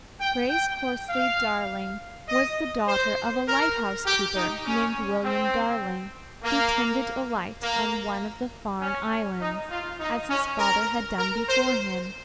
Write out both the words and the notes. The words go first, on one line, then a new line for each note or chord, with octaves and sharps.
Grace Horsley Darling was the daughter of a lighthouse keeper named William Darling, who tended a light on one of the Farne Islands as his father had done before him.
G5
G5
F5
D#5
C5
A#4
G4
D#4
C#4
C4
A#3
A#3
C#4
D#4
F4
D#4
C#4
A#4
A#4
C5